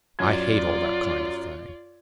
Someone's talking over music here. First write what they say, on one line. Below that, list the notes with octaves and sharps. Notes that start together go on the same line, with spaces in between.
I hate all that kind of thing.
F#2 F4 D5 G#6